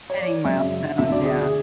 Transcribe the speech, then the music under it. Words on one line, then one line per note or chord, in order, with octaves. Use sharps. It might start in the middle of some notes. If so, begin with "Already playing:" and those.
Hitting milestones, yeah.
C#5
D5
F#2 C#3 G#3 E5
D2 D3 A3 E5
D5
G#4
G#4